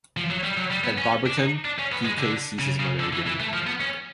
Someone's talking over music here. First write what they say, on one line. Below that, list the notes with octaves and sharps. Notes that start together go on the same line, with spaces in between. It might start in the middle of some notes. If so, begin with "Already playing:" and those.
At Barberton, Peekay sees his mother again.
F3
F#3
G3
F#3
G3
B3
C#4
D4
D#4
D4
C#4
B3
G#3
D3
C#3
C#3
D3
E3
E3
A3
F3
B3
C#4